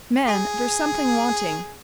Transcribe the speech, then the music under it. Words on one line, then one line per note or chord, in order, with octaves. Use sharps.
'Man, there's something wanting.
G#4